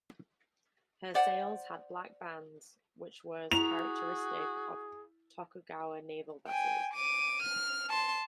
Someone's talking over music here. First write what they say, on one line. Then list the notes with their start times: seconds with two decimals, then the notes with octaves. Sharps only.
Her sails had black bands, which was characteristic of Tokugawa naval vessels.
1.14 C5 D5 F#5
3.52 E4 F#4 G#4 F7
6.48 G5 G#5
6.94 D6 D#7
7.42 F6
7.90 A5 C6